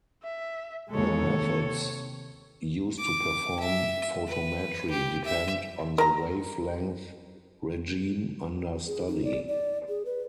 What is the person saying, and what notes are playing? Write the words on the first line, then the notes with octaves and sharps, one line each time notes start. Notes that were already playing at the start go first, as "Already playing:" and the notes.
The methods used to perform photometry depend on the wavelength regime under study.
E5
D#2 G#3 A4 C#5
C3
D6
E5
B4
G4
E5
A#4 A#5
G#4
D#4
D5
D5
G#4
B4